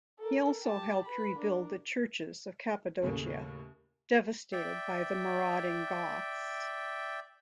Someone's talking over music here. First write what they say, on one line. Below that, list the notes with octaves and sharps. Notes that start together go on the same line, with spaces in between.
He also helped rebuild the churches of Cappadocia, devastated by the marauding Goths.
A4 A#4
G4 A5
B4 B5
D4 A#4
D#2 A2 C#3 A3
D5 E5 G5